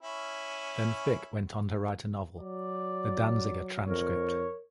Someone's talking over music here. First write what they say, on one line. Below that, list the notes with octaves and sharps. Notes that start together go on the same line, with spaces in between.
Then Fick went on to write a novel, "The Danziger Transcript".
C#4 E4
F#3 D5
F2 A#4 C#5